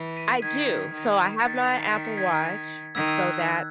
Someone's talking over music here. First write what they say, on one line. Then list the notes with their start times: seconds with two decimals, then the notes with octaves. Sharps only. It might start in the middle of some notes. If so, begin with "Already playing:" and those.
I do. So, I have my Apple Watch. So, that
Already playing: E3
0.17 B6 D#7
0.42 D#3 G#6 B6
0.93 D#3
1.38 B6
1.43 D#3 A6 C#7
1.94 B6
2.06 C#7
2.17 G#6 B6
2.95 D#3 E6 G#6
3.08 E6 G#6
3.21 F#6
3.34 E6
3.47 F#6